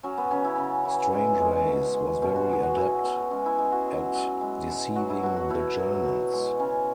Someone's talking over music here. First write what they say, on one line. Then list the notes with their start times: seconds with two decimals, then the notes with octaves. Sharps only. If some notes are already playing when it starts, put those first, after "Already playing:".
Strangeways was very adept at deceiving the Germans.
0.03 F#3 C#4
0.17 B3
0.31 C#3 C#4
0.44 E4
0.58 C#3
0.85 E3
1.13 G#3 C#4
1.40 G#3
1.67 B2
1.94 G#3
2.22 B2 C#4
2.36 F#4
2.49 G#3 G#4
2.63 F#4
2.76 B2 E4
3.03 B2
3.31 G#3 C#4
3.46 E4
3.58 G#3 G#4
3.72 F#4
3.86 F#3
4.13 F#3
4.41 G#3
4.69 B2
4.95 F#3 F#4
5.09 E4
5.23 B2 F#4
5.36 F#4
5.50 B2 E4
5.78 F#3
6.05 B2
6.32 G#3
6.59 C#3 C#4